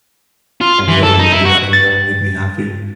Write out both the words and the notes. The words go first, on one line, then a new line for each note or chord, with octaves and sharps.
Any of them will do it, any of them make me happy.
F4
E3
A4
D#4
E4
F#4
A6